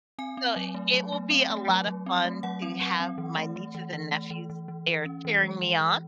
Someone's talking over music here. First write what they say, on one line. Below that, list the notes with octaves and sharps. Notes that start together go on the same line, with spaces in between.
so it will be a lotta fun to have my nieces and nephews there cheering me on,
C4 G#5
C4
F#3
A3
F#3
A3
C4
A3
F#3
F#3
C4
A3
F#3 F#5
C4
F#3
C4
E3
A3
A3
E3
E3
A3
E3
E3
E3
E3
C#4
E3
G#3
E3
E3